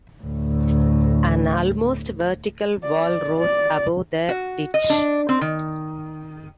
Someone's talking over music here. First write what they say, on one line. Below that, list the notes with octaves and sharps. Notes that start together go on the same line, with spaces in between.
An almost vertical wall rose above the ditch.
D2 A2
D5
D5
F#4
D#5
D4
C4
D#3